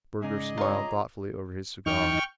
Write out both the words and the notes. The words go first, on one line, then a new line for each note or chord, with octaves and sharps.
Burger smiled thoughtfully over his cigar.
G#2 C#3 D#4 G#4 D5 D#5
F4 C#5 A#5
E2 D#4 G5 C#6 F6